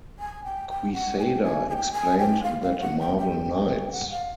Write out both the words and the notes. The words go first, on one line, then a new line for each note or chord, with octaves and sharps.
Quesada explained that Marvel Knights...
G#5
G5
G5
F#5
G#5
G5
G#5
G#5
G5
G#5
G5
F5
F5
F#5
G5
G5
F#5
F5